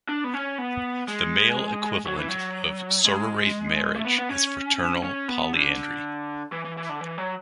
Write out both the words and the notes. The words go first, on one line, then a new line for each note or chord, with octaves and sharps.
The male equivalent of sororate marriage is fraternal polyandry.
D4
B3
C#4
B3
G#3
F#3
E3
F#3
G#3
A3
B3
B3
C#4
C#4
B3
D3
E3
E3
E3
D3
E3
F#3